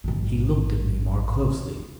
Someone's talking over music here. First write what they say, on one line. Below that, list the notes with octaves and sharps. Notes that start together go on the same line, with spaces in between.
He looked at me more closely.
A1 G#2